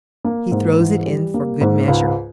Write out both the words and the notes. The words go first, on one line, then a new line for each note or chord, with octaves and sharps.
He throws it in for good measure.
A#3
G#2
E3
G3
A#3
G#2
C#2